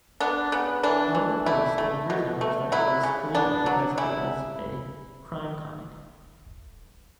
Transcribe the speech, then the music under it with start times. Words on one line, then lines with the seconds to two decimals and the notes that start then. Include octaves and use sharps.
Local police told retailers that it was illegal because it was a "crime comic".
0.20 B3 D4
0.52 C#3 B3
0.83 E3 D4
1.15 E3
1.46 A3 E4
1.78 A3
2.10 B2
2.41 A3
2.72 F#3 E4
3.03 C#3
3.35 B3 D4
3.66 F#3
3.98 C#3 E4